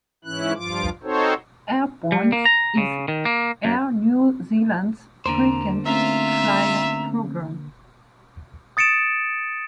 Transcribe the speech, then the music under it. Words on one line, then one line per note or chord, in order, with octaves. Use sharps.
Airpoints is Air New Zealand's frequent-flyer programme.
G#2 E3 C#4 E4 F#6
G2 F3 F4 D6
C4 D#4 F#4 A4 C5 C#5
G3
A#3
A#5
C#3
D#3
A#3
F#2
E2 D3 A#3 C5 A#5
A3 C4 C#4 F4 E5 A#5
D#6 A6 C#7 D7 E7